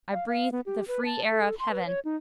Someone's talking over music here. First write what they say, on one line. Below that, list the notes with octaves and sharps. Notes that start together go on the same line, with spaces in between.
I breathed the free air of Heaven.
F5
F5
B3
G4
B4
A5
A4
C6
B4
C#5
D#4